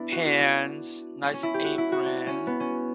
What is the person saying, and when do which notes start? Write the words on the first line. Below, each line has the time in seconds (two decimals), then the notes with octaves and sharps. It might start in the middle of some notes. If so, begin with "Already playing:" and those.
pans, nice apron.
Already playing: B3 D4 E4
0.12 F#4
0.26 F#4
0.40 D4
1.23 C#4
1.33 C#4
1.43 E4
1.54 G4
1.64 F#4
1.78 E4
1.92 F#4
2.06 D4
2.27 C#4
2.47 B3
2.60 C#4